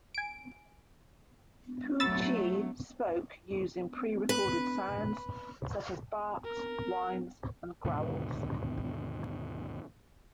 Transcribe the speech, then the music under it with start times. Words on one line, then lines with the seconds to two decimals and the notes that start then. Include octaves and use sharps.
Poo-Chi spoke using prerecorded sounds such as barks, whines, and growls.
0.15 G#5 D7
2.00 F#3 A3 B5 E6 A6
4.29 B4
6.44 A#4
7.85 D#2 G#2 B2 D3